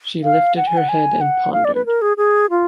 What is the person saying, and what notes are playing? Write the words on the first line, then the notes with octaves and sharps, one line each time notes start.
She lifted her head and pondered.
F5
F#5
G#5
F#5
G#5
F#5
F5
D5
B4
A#4
G#4
G#4
F4